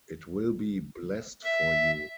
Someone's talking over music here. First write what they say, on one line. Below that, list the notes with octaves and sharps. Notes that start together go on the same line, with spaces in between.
It will be blessed for you.
E5